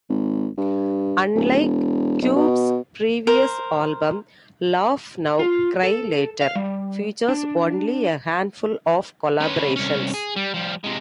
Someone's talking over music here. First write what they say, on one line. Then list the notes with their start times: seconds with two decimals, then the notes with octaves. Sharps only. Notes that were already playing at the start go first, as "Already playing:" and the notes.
Unlike Cube's previous album, "Laugh Now Cry Later" features only a handful of collaborations.
0.09 G#1
0.57 G2
1.35 D1
1.61 E1
2.22 B1
2.36 B2
3.27 A#4 C5
5.39 F4
5.83 A4
6.41 F5
6.55 G3
7.28 D4
9.40 C#4 B4
9.76 C2 C#4
10.14 G#4
10.36 G3
10.54 F3 G3
10.84 C3 G#3